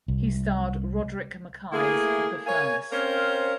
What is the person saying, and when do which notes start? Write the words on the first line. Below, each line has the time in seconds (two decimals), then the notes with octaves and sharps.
He starred Roderick Mackay’s "The Furnace".
0.08 C2
1.72 A3 A#3 E4 G#4
2.46 A#4 C#5 F5 G#5
2.92 C4 C#4 A#4 C5 F5